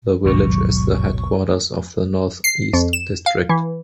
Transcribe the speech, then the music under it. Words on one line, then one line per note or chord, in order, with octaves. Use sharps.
The village is the Headquarters of the North East District.
A1 D#2 G#2 B2 F#3 C#6
C7
F2
E7
F5
E3